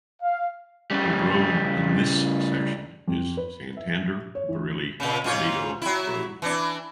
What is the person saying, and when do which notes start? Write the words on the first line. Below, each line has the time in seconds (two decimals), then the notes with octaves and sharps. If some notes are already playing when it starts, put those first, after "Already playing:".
The road in this section is Santander–Barili–Toledo Road.
0.22 F5
0.90 C#3 G3
3.08 F2
3.37 B4
3.77 E5
4.35 C#5
4.49 E3
5.00 A#2 C#3
5.24 G#2 F4 C#5
5.82 F#3 E4
6.42 E3 D4